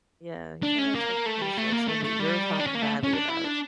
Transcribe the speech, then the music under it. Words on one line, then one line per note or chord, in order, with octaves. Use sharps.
Yeah, you can't really expect your friends to like somebody that you're talking badly about.
D4
C#4
A#3
A3
G3
A3
A#3
A3
A3
G3
D4
C#4
A#3
A3
C#4
D4
E4
D4